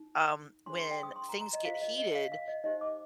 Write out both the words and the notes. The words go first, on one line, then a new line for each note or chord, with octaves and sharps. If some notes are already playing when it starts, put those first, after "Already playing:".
Um, when things get heated,
Already playing: D#4
D4 G#4 C5 C6
C6
G5
D#6
C6
A#5
A#5
D#5
F4 G#4 C5 F5
D#5
D#5
F5
F5
D#5
D#4 G4 C5 D#5
D6